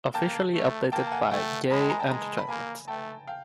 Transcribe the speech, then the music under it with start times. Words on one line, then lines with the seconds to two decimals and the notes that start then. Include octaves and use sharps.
Officially updated by J Entertainment.
0.14 A#3 G5 A5
0.54 A3
0.92 A#3 G5 A5
1.07 A5
1.12 F#5 G#5
1.31 A3 G5 A5
1.70 G#3 A5 B5
1.80 G5 A5
1.90 G#5 A#5
2.00 G5 A5
2.09 G#3 G#5 A#5
2.38 B5
2.49 A#3 G#5 A#5
2.88 A3 G5 A5
3.27 F5 G5